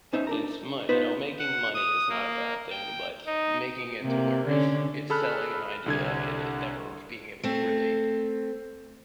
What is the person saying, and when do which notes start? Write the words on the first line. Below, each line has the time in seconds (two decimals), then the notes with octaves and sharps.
it's mon you know, making money is not a bad thing, but, making it to where it's it's selling an idea, and it never being able to really
0.13 C2 C#4 D#4 C5 E5
0.27 D4 A#4 A#5
0.89 B3 D#4 F4 B4 C5
1.39 F#5
1.75 D#6
2.09 A#3
2.71 G5
3.26 D#4
4.02 C3 A#3
4.46 D3 C#4
5.10 G#4 A4 B5 F6 F#6
5.86 C2 D3 G#6
7.43 A3 C4